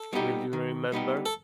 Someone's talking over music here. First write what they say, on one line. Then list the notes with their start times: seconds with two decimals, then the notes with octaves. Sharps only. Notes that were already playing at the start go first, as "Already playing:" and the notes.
Will You Remember?
Already playing: A4
0.13 G3 B3 D#4 G4
0.53 D#3
0.92 G3 B3 D#4 G4
1.26 A4